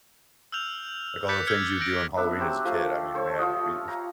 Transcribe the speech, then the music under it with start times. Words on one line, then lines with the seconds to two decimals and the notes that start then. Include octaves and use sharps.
like, all the things you would do on Halloween as a kid, I mean, man, we
0.52 E6 F6 G6 F7
1.28 D6 F#6 G6 A6 B6 C#7
1.47 E6 F6 G6 G#6 B6 C#7
1.80 E6 G6 A#6 D7
2.16 B3 D4 E5
2.40 F#3 D4 G4 C5
2.65 F3 A3 F5
3.14 A4 C5 C#5
3.38 F4 C#5 D#5
3.88 A#5